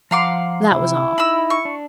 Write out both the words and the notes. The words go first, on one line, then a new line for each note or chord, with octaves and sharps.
That was all.
F3 F5 F#5 A#5 C6 D6
C3 E4
D#4 B5 E6
C#6
D4